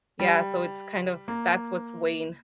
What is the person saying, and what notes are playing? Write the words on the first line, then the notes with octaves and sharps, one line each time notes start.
Yeah, so it's kind of that's what's weighing
G3
A#3